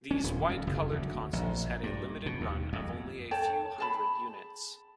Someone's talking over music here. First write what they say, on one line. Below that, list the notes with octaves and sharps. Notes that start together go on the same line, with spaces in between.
These white colored consoles had a limited run of only a few hundred units.
C#4
D#1
F2
F#1
D2
A#1
G2
B2
D#2
F2
A4 C#5 G5 A5
G#4 A5 B5